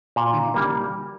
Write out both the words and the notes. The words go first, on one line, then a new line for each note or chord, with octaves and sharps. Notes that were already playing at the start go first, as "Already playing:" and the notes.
Mhm, mhm.
A#2
G3 A#3